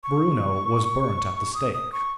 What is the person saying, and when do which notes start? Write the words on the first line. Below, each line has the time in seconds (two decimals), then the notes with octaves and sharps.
Bruno was burnt at the stake.
0.04 C#6
1.55 D#6
1.73 D#6
1.93 C#6